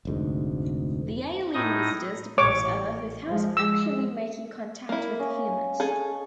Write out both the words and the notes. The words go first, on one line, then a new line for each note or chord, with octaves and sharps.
The alien visitors depart Earth without actually making contact with humans.
F1 D2 G#2
A2 D#4 D#6
A1 C#5 D6
F3 G#3
G#3 E6
A#3 E4
C#4 D#5 F5
G#4 A4